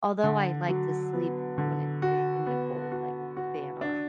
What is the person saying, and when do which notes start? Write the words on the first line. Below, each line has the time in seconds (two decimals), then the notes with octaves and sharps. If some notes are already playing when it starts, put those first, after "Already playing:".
Although I like to sleep when it in the in the cold, like with the fan on.
0.24 D3
0.68 F#3
1.13 B3
1.58 D3
2.02 F#4
2.46 B3
2.92 F#4
3.37 F#4
3.81 D4